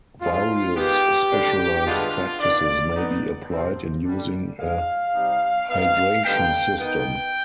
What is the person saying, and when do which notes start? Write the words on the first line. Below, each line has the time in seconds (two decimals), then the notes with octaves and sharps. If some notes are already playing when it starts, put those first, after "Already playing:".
Various specialized practices may be applied in using a hydration system.
0.21 G2 F3 G#3 C4 F4
0.76 D#3 G#3 B3 G4
1.31 G2 D3 G3 D4
1.86 G2 D3 G#3 B3 D4 F4
2.40 D#3 B3 D4 D5
2.96 B2 B3 D#4
3.50 C3 F3 C4
4.05 D3 G3 D4
4.60 G#2 F3 G#3 F5
5.15 C3 G3 C4 D#4
5.69 G#2 G3 B3 D#4 F5
6.24 D3 G3 B3 D#4 G5
6.79 D#3 B3 D#4 G5